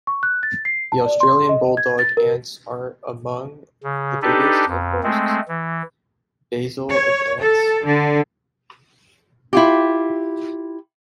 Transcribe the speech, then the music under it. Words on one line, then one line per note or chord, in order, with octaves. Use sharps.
The Australian bulldog ants are among the biggest and most basal of ants.
C#6
F#6
A6
C7
A5
D5
C6
D#5
G#6
A6
A#4
C#3
D4 D#4 G4 A4 B4
F2
G#3 A3 C4
E3
C#5
A4
D3
E4 F4 G4